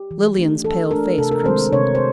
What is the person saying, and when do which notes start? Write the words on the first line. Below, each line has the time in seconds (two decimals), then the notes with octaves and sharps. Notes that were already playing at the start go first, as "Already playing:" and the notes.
Lilian's pale face crimsoned.
Already playing: G4
0.11 E3
0.37 A3 D4
0.64 E3 A4
0.91 A3 D4 A#4
1.18 C3 A4
1.31 A#4
1.45 D#3 G#3 C4 C5
1.73 C3 C#5
1.95 C5